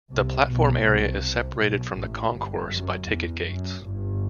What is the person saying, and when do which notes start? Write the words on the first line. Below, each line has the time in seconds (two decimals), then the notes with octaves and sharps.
The platform area is separated from the concourse by ticket gates.
0.12 C2 C3
0.49 B1 B2
0.86 C2 C3
1.60 B1 B2
1.97 A1 A2
2.34 G1 G2
2.71 F#2
3.08 E2
3.45 F#2
3.82 G1 G2